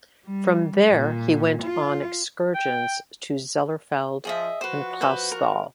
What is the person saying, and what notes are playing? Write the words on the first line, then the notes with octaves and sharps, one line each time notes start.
From there he went on excursions to Zellerfeld and Clausthal.
G3
A#2
F4
G5
F3 G#4 D#5 E5
F3 F#4 B4 C5
B4 C5
A#4